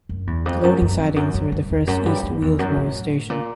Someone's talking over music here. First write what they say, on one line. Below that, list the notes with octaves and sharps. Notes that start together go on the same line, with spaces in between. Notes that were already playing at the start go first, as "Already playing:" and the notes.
The loading sidings were the first East Wheal Rose station.
F#2
E2
F2
F#2
F#2
F2
F#2
F#2
F#2
E2
F#2
G2
F2
E2
F#2
A2
A#2